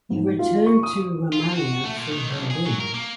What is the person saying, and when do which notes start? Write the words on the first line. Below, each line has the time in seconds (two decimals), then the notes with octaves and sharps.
He returned to Romania through Berlin.
0.10 G#2
0.39 F4
0.66 C#6
0.83 D#6
1.33 F4
1.53 F#4
1.85 A3
1.97 A#2
2.12 D#3
2.28 B1
2.51 G#4
2.65 F#3
2.80 A#4
2.94 A#3